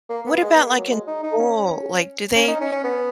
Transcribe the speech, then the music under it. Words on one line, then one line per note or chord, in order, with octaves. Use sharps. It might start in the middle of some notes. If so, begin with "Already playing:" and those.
What about, like, in school, like, do they
A#3
B3
G#3
B3
A#3
F#3
G#3
D#4
D#4
C#4
C#4
D#4
C#4
C#4
B3